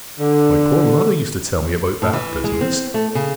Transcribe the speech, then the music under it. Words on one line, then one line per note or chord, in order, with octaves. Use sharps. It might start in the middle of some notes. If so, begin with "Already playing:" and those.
My poor mother used to tell me about that business.
D3
A2
E3
G#3
C4
A3
C#3